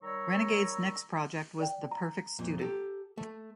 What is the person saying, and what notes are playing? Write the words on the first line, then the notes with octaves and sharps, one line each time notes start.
Renegade's next project was "The Perfect Student".
D#3 G3 C#5 A#5 C#6 E6
D5 G5
A#5
F2 A#2
G4 A4
A3